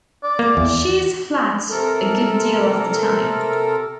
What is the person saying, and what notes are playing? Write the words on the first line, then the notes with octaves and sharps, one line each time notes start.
She is flat a good deal of the time.
D5
A#3
E2
C3 A4 A#4